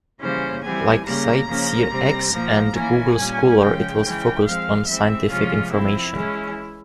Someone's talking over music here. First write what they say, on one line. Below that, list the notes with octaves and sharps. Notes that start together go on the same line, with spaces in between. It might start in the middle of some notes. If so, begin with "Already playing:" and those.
Like CiteSeerX and Google Scholar, it was focused on scientific information.
C#3 E3 G3 A#3 C#4 C5
E3 G3 C4 G#5
C#3 G3 A#3 A#5
C#3 F3 A#3 C#4
C3 G3 C4
A#2 F3 A#3
E3 A#3 C#4 G#5
A#2 G3 C#4
C#3 F3 G#3 C#4 G5
E3 G#3 C#4
F3 G#3 C4 F5
E3 G#3 C4 E5
C3 F3 G#3 C#4 F4
F3 C4 E4
E3 G#3 C#4